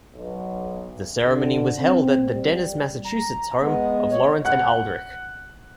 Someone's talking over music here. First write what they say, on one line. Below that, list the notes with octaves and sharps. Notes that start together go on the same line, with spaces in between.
The ceremony was held at the Dennis, Massachusetts home of Lawrence and Aldrich.
B1
D3
C4
G3
A#5
G#3 B3
C#5
F#5 F#6